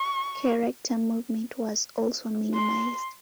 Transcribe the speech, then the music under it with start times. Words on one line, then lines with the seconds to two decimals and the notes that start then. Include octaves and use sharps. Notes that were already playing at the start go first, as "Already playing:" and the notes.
Character movement was also minimized.
Already playing: C#6
2.54 C6